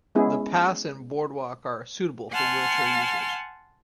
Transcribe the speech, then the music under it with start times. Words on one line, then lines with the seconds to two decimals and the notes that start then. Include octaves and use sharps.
The paths and boardwalk are suitable for wheelchair users.
0.15 G#3 B3 C#4 E4 G#4
2.31 F#5 G#5 A5 C6 F6